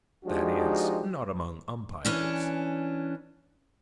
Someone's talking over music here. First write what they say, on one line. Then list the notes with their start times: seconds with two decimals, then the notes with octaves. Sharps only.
That is, not among umpires.
0.25 F3 G#3 D4 D#4 F#4 G4
2.05 E3 C#4 D4